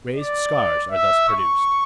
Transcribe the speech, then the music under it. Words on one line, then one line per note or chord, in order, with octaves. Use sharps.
Raised scars are thus produced.
D5
E5
C#6